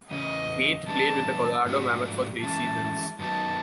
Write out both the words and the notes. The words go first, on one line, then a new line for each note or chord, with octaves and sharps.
Gait played with the Colorado Mammoth for three seasons.
E2 C#3 C#4 D#5
E3 G3 B3 D4 G4 A5
G#2 F3 A3 D4 F#4
E3 G#3 C#4 A5
F#2 D#3 F#3 B3 D#4 A5